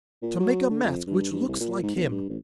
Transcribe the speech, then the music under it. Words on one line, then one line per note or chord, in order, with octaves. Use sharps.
To make a mask which looks like him!
A#2
F#3
D3
F2
G2
G2
C2
A#2
G#2
B1
G2
A1